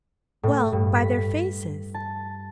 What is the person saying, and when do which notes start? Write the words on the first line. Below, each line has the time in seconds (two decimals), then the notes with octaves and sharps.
'Well, by their faces....'
0.43 A2
0.72 G2
0.95 B6
1.94 A5